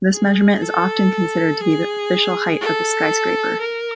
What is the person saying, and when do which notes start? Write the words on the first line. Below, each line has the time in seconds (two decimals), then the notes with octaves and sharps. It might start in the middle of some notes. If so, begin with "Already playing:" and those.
This measurement is often considered to be the official height of a skyscraper.
0.12 G#4
0.62 A4
1.61 G#4
2.60 A4
3.60 A#4